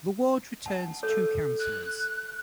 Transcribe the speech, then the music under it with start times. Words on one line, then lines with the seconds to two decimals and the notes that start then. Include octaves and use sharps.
The ward returns two councillors.
0.66 F#5 A5
1.03 A4 C#5
1.60 F#6